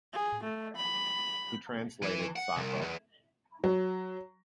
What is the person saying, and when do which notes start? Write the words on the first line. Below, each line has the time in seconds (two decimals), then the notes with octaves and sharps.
He translated Sappho.
0.13 G#4
0.44 A3
0.77 B5
2.02 E3
2.36 F#5
2.56 C2
2.81 E2
3.64 F#3